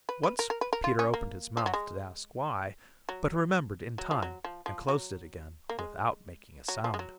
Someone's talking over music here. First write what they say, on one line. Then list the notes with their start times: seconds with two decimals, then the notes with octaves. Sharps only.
Once Peter opened his mouth to ask why, but remembered in time and closed it again without making a sound.
0.09 B4
0.23 B4
0.39 A#4
0.50 A#4
0.61 B4
0.73 A#4
0.84 F4
0.99 C#4
1.14 A#3
1.57 F3
1.66 F#3
1.74 G#3
3.09 F#3
3.98 F#3
4.11 F3
4.22 F#3
4.44 F3
4.66 F3
4.89 F#3
5.69 A#3
5.79 G#3
6.68 F#3
6.84 F3
6.94 G#3
6.99 F#3